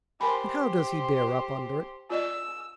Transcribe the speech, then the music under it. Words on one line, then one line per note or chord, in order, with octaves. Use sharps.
"And how does he bear up under it?"
G4 A#4 C5 G#5 B5
F4 D5 D#5 E6